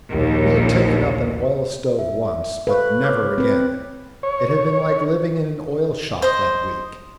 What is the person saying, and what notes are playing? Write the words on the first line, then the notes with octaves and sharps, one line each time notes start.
We had taken up an oil-stove once, but "never again." It had been like living in an oil-shop that week.
A#1 D#2
E5
A4 B4 F5 C#6
C#5 D6 F6
C4 B4
C#5
C5 D#5